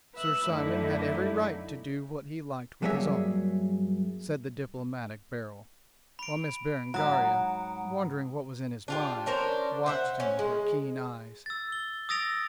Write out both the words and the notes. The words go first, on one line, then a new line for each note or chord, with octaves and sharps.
"Sir Simon had every right to do what he liked with his own," said the diplomatic Beryl, while Miss Berengaria, wondering what was in his mind, watched him with her keen eyes.
B4 E5 E6 F#6
F#2 A2 D3 D#4 E4
G2 F#3 A#3 G#4 C#5 E5
B5 D7
G#2 F#3 F#5 A#5 D#6
D4 F4 G4
C#4 D4 A#4 C5
C5 E5 F#5
C#4
G#3
E6 A6
G7
D#6 E6 A6 A#6 D7 F7